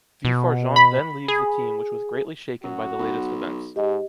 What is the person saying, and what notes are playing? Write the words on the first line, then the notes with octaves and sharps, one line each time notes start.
Vif-Argent then leaves the team which was greatly shaken by the latest events.
B2
B5
G#4
F#2 F#4
B1
G#2 G4 D#5